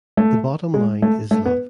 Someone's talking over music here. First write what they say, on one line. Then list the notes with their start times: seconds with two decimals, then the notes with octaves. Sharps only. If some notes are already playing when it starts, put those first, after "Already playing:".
The bottom line is love.
0.17 A3
0.74 G#3
1.02 A3
1.31 A3
1.45 B3